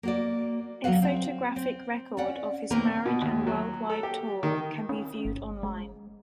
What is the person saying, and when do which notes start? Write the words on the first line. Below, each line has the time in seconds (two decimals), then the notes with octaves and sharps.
A photographic record of his marriage and worldwide tour can be viewed online.
0.03 A#3 F#4 D5
0.84 D2 F#3 A3 B3 F5 F#5
1.02 C4
1.56 C4
2.17 C#4 D5 F#5 G5
2.70 B2 D#3 A#3 C4 A#4 B4
3.06 B2
3.21 D#2
3.47 F#3
3.90 A4
4.03 G4
4.43 D#3
4.89 C#4
5.25 G1
5.63 G#3